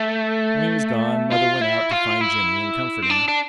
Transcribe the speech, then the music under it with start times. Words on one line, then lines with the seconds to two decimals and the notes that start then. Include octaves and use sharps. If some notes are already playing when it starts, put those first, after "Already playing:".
When he was gone, mother went out to find Jimmy and comfort him.
Already playing: A3
1.32 F4
1.61 E4
1.91 F4
2.21 E4
3.02 C4
3.10 D4
3.28 D4